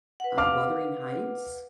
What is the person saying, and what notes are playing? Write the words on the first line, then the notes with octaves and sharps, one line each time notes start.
uh, Wuthering Heights.
B4 F#5
F5 D6 F6